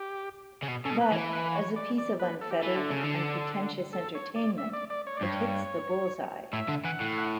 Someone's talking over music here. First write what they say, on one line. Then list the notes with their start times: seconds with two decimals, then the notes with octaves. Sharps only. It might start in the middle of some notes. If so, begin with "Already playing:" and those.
But, as a piece of unfettered, unpretentious entertainment, it hits the bullseye.
Already playing: G4
0.62 C#3
0.68 B2
0.85 C#3 A4
0.90 B2
1.01 B4
1.12 E3
1.33 B4
1.55 C#5
1.76 D5
1.98 D5
2.19 B4
2.41 A4
2.51 G4
2.59 E3 A4
2.77 D3
2.91 C#3
3.04 D3
3.93 A4
4.15 C#5
4.36 D5
4.58 E5
4.73 D5
4.90 D5
5.07 C#5
5.17 D5
5.22 G2 C#5
6.53 A2 E5
6.68 D3
6.85 E3 F#5
7.00 A2
7.18 F#5